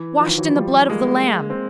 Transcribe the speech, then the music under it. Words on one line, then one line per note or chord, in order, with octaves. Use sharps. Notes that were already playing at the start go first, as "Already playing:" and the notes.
Washed in the blood of the Lamb.
Already playing: E3
D#3 F3
E3 F#3
F3 G3
G#3 A#3
C4